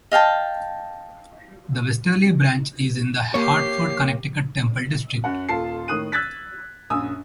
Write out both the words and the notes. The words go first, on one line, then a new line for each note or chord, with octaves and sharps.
The Westerly Branch is in the Hartford Connecticut Temple District.
D#5 F5 G5 A5
A#3 G4 C#5 C7
F#2 F#5
D#1 F4 A4 A5 C7
A2 D#3 D#6 F#6 D#7
E6 F#6 G#6 A6 B6
A#1 F#2 G#5 D#6 E6